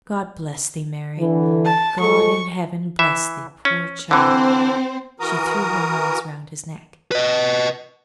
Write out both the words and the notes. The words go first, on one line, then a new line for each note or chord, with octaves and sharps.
"God bless thee, Mary!--God in heaven bless thee, poor child!" She threw her arms round his neck.
D3 E3
A5
F3 G#3 A4 C#6
E3 E5
C#4
D3 E3 C4 C5
E3 F#4 A#4 A#5 D#6
B4 D#5